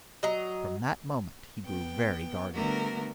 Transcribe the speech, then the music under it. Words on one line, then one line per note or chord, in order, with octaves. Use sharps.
From that moment he grew very guarded.
F#3 D#5 A#5
B3 G5
D3 G3 A3 B3 F#4 A#4